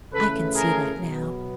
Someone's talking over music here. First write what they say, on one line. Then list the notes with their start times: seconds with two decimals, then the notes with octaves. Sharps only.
I can see that now.
0.13 C#3 E3 A3 A4 B4
0.54 G#4 A#4
0.94 B2 F#3 B3